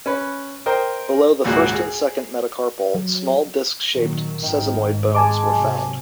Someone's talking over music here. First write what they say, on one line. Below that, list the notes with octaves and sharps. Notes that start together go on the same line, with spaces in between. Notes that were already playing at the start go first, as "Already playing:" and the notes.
Below the first and second metacarpal small disc-shaped sesamoid bones were found.
C#4 B4
A#4 C5 D#5 G5
G#1 C#2 A#2 F#4 G#4 F#5
G#4
F#3
A#2 D#3 F#3
G#1 G#2 D#3
G#3 G#5 A5 D6
C3 F#3